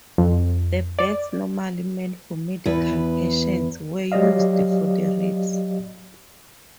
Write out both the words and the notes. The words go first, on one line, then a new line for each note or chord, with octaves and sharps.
The beds normally meant for medical patients were used for the rapes.
F2
D5
E2 B4
F#3 G4 D5 D#5 F5